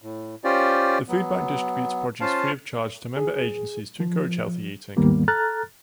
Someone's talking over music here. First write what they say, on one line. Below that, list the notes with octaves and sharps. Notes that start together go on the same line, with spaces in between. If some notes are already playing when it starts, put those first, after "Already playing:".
The foodbank distributes produce free of charge to member agencies to encourage healthy eating.
A2
C#4 F4 G4 C5 D5
F#3 B3
C#4 F4 C5 F5 A5
G#4
F3
D#2 G#2 D#3 G3 A#3 B3
A4 A#5 F6 F#6 A6